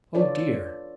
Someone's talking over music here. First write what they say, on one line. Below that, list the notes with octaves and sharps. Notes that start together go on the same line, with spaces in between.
Oh dear!
D4 F4 A4 B4 C#5 D5